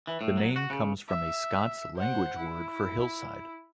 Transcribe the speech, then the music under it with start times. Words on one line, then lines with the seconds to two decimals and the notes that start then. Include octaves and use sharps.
The name comes from a Scots language word for hillside.
0.07 E3
0.21 A2
0.37 F#3
0.56 F#4
0.70 C#3
1.08 E5
1.96 C5 F#5
2.37 E4